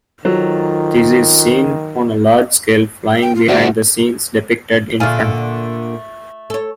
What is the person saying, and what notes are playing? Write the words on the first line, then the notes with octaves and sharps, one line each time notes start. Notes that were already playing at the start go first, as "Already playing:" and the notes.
This is seen on a large scale flying behind the scenes depicted in front.
D#3 F#3 F4 A4 C5
G5
F4
D2 G#2 F#4 D5 E5
A#2 D3 A3 F4 G#4
A4 C#5